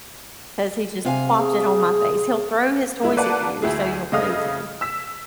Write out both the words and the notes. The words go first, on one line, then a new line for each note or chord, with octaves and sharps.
'cause he just plopped it on my face. He'll throw his toys at you so you'll play with him.
C3 F5 G#5
G#4
G#3 E4
A#3 B4 D5 F5 F#5 A5
D2 E4 G#4
C#3 A3 D#5 F5 D#6 F6
E6 B6